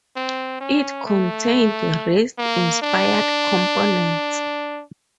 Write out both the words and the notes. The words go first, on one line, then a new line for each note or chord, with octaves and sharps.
It contained race-inspired components.
C4
C#4
A3
A#3
D4